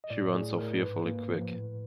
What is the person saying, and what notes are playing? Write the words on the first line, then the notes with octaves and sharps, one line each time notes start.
She runs so fearfully quick.
D#5
A2 D5
A2 G#4
A2 A#4
G#2 B4
A#3
F3
A2